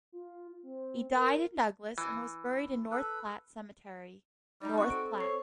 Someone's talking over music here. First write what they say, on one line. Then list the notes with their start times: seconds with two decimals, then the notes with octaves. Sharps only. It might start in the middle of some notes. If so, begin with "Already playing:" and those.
He died in Douglas, and was buried in North Platte Cemetery, North Platte.
0.12 F4
0.63 C4
1.12 A#4
1.98 E3
2.91 A4 B4
4.62 G3 D#4 D5 D#5 A#5
4.78 C4 F#4 C#6
4.90 A4 D7
5.18 C5 C#5 C7